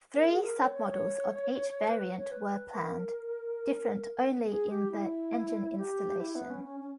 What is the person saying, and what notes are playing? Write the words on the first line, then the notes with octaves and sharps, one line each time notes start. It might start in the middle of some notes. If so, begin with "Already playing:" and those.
Three sub-models of each variant were planned, different only in the engine installation.
A#4
G#4
A#4
C#5
C#5
C#5
B4
C#5
B4
A#4
G#4
G4
E4
E4
G4
E4
B3
C#4
C#4
C#4